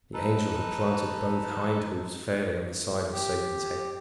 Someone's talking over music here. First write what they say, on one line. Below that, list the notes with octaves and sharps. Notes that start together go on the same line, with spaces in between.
The Angel had planted both hind hoofs fairly on the side of Satan's head.
D#4 A4 B4
G4